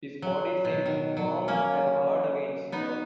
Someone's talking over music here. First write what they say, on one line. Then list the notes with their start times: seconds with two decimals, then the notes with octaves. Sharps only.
His body seemed firm and hard against her.
0.22 F#3
0.65 B2
0.86 D#3
1.17 F#3
1.48 A#3 C#4
2.72 B3 D#4